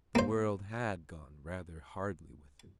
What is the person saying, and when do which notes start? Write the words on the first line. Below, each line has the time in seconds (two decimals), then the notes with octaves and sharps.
The world had gone rather hardly with her.
0.15 A#3 C5